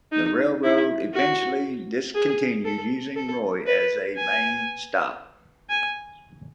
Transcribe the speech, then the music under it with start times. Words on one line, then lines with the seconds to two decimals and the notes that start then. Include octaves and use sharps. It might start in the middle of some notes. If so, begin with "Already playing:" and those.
The railroad eventually discontinued using Roy as a main stop.
0.12 D#4
0.63 E4
1.13 F#4
2.15 G#4
2.65 A4
3.16 A4
3.67 B4
4.16 G#5
5.69 G#5